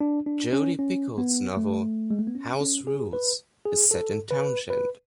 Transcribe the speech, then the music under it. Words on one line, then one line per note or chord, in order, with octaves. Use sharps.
Jodi Picoult's novel "House Rules" is set in Townshend.
D4
D4
C#4
C#4
B3
A3
G#3
A3
B3
C#4
C#4
G#4
B4
G#4
A4
B4
B4